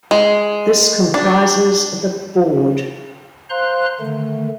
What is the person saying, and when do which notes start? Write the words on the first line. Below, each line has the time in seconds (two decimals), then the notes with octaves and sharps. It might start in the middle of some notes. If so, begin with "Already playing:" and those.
This comprises the "board".
0.11 G#3
1.14 D4
3.50 C5 F5 A#5 C6 F#6
4.00 D3 D#3 A3